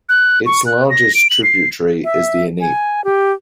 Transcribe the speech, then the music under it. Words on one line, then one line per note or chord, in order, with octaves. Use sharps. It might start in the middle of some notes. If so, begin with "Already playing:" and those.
Its largest tributary is the Ennepe.
F#6
C#6
F#6
A#6
D7
F#7
C7
E5
G#5
G4